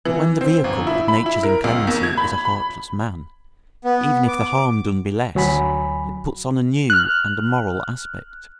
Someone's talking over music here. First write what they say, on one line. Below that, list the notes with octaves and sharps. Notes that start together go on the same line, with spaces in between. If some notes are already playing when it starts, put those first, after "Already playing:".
But when the vehicle of nature's inclemency is a heartless man, even if the harm done be less, it puts on a new and a moral aspect.
E3
C4
G1
E4
B5
E4
A#4
C#2
D#2
G#6
B5
B5
B3
D6
D2 F#3 G#5 B5
F6 F#6